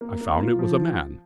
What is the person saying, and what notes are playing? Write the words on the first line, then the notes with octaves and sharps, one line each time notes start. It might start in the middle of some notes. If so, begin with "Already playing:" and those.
I found it was a man.
A#3
A#3
F4
F3